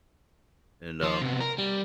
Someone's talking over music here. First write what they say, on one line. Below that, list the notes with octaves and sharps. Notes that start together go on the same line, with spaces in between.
And um
F3 C5
C3 B3
A#4
G3